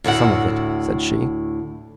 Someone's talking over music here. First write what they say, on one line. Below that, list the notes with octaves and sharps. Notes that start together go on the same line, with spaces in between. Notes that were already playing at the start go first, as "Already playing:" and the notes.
"Some of it," said she.
D2 A2 E5 F#5